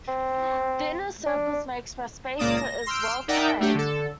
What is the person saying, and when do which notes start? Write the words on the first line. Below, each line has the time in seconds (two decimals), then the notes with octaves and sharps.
The inner circles may express space as well as time.
0.08 C4
1.26 D4
2.38 C#2 A#2 A#3 D5 D#6 E7
2.57 A#6
2.87 C6 E6 F6 G6 D7
3.28 D#4 A#4 D5 E5 F#5 G5
3.60 A3 D4 G4
3.74 D3 A4